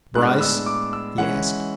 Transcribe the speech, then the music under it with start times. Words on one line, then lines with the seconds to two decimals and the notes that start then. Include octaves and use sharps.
"Bryce?" he asked.
0.15 A2 G#3 B3 D4 F#6
0.41 E6
0.66 D6
0.93 E6
1.18 E3 G#3 C#4 F#5